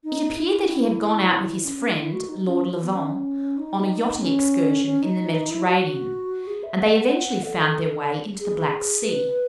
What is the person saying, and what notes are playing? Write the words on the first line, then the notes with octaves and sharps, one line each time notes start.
It appeared that he had gone out with his friend, Lord Levant, on a yachting excursion in the Mediterranean, and they eventually found their way into the Black Sea.
D#4
E4
C#4
C#4
D#4
E4
F#4
D#4
C#4
B3
C#4
D#4
C#4
C#4
D#4
E4
F#4
G#4
E5
F#5
A4
G#4
B4